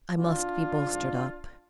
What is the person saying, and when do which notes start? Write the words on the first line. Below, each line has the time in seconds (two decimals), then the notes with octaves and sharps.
I must be bolstered up.
0.17 C2 B2 D4 F4
0.83 G#1 G#2 F3